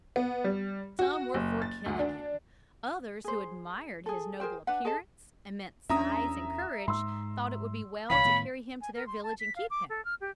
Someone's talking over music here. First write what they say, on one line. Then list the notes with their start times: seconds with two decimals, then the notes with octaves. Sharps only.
Some were for killing him; others, who admired his noble appearance, immense size, and courage, thought it would be well to carry him to their village and keep him.
0.16 B3
0.44 G3
0.99 F#4
1.34 F#1
1.62 A6
1.86 D2
1.99 D4
3.24 G#4 C5
4.06 G#4 A4
4.40 G#4 A#4 C5 G5
4.67 D4 B4 F#5
4.85 G#4 A4 D#5 A5
5.89 E2 C#4 D4 E5 A#5 D#6
6.88 G#2 C6 E6
8.10 C2 A#2 E3 C#5 F5 B5 B6
8.25 A2 D#3 B3
8.81 G#5
8.95 A#4
9.07 C6
9.23 A5
9.40 B6
9.56 F5
9.70 D6
9.90 A4
10.05 F6
10.21 G4